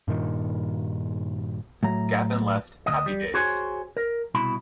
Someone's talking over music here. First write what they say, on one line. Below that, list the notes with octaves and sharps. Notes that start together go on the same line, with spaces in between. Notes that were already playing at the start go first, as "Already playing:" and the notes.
Gavan left "Happy Days".
G2 A#2 D#3
A2 F#3 A#5
D2 C#3 D#5
G3
F#4 G#4 C5 C#5 G#5
A#4
C2 B2 E4 B5